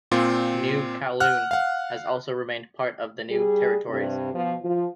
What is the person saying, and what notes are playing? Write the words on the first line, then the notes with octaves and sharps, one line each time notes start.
"New Kowloon" has also remained part of the New Territories.
A#2 C4 F4
F#5 F6 F#6
F5 F#5
G3 G#4
G2 C3
B2 F3
F3